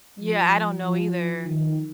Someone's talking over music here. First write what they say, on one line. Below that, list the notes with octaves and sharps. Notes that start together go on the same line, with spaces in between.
Yeah, I don't know either.
F3
F3
D#3